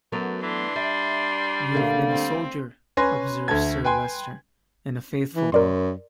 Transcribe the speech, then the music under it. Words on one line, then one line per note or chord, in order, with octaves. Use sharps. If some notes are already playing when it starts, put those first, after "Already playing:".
"You have been a soldier," observes Sir Leicester, "and a faithful one."
F#2 F#3 A3 B3
E3 D4 C6
G3 E5
D2 D3 A#3 F5
C4
C#4 B4 G#5 C6 A#6
D2 A3 A5 G#6
B4 G5 G#5 C6
E3
F#2 A#4 D5 C6